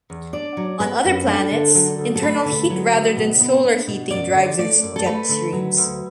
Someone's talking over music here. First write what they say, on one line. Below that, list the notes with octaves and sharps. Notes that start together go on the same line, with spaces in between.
On other planets, internal heat rather than solar heating drives their jet streams.
E2
D4 D5
F#3
B3 B4
F#2
D4 A4
D3
F#3
D2
A4
A3 B4
D3
F#3
D2
B2
B3
D4
B2
F#2 D5
D3
A3 D5
F#2
A4
A3 B4
D3
F#3
D2